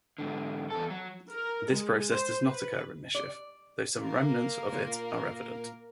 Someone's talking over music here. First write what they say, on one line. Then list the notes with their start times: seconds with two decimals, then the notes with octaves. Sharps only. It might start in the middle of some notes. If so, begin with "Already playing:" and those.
This process does not occur in Michif, though some remnants of it are evident.
0.18 G#2 D3
0.70 E2 A4
0.90 F#3
1.34 A#4
1.70 G#3
2.10 C5
2.46 B4
3.15 D5
3.98 A#3 A#4
4.73 A#2